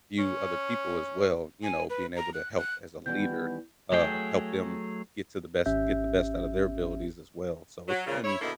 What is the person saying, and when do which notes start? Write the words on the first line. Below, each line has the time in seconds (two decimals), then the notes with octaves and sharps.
view other people as well, you know, being able to help as a leader, um, help them get to the best get the best out of their abilities as well, so, it's been,
0.19 C#4
1.63 G#5
1.90 B4
2.16 A#5
2.34 F#6
2.58 F#6
3.06 D#3 E3 G3 B3 G6
3.92 F#3 A3 G#4 G5
5.66 G#1 C#4 G4 E5 G6
7.88 F#3
8.07 A#2 C#3
8.24 E4 C#5
8.41 B2 D3 D#3 A#3 E4 A4